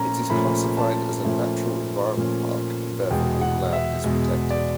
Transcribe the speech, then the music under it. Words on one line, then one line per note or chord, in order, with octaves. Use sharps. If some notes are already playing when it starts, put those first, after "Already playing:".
It is classified as a Natural Environment Park and therefore all land is protected.
Already playing: A#2 F3 A3 C#4 A#5
A#2 F3 A3 C#4 B5
A5
A#2 F3 A3 C#4
A#2 F3 A3 C#4
E2 B2 G#3 G5
F#5
E5
E2 B2 G#3
D5